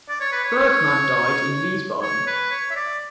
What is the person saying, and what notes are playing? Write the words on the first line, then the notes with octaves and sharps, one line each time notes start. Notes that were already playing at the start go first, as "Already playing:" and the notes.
Bergmann died in Wiesbaden.
D5
C#5
B4
C#5
C#5
B4
C#5
E5
D5